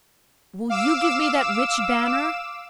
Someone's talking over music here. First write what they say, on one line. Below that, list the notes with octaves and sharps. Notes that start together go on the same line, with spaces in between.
Will you give me that rich banner?
F5 D6 E6 E7